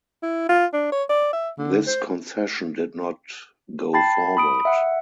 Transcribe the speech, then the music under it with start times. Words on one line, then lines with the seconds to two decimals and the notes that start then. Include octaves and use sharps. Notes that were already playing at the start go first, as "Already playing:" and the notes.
This concession did not go forward.
0.23 E4
0.49 F4
0.73 D4
0.92 C#5
1.09 D5
1.33 E5
1.58 D3
1.87 C5
3.93 G5 A5 B5 A6 C7
4.37 B5 D#6 D7
4.65 E5 F#5